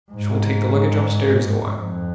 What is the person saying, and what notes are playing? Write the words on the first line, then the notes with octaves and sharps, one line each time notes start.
'She'll take the luggage upstairs the while.
G#2
F2